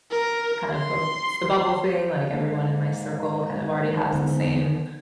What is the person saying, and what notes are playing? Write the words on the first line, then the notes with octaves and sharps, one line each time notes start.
kind of, uh it's the bubble thing, like everyone in my circle kind of already has the same
A#4
C6
G#2 A#3
D3 B3